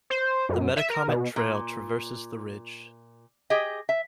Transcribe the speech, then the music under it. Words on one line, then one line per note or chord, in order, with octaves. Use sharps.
The Metacomet Trail traverses the ridge.
C5
F#2
E5
A#4
B2
A#2
G4 G#4 D#5
E5